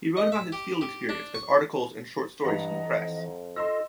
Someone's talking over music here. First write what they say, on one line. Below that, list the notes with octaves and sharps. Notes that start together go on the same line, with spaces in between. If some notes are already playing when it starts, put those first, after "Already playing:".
He wrote about his field experience as articles and short stories in the press.
D#5
E5
G4
G4
D4
C#6
G2 E3 D#5 F#5 A5 A#5
F2
F4 A4 D#5 C6 E6 A#6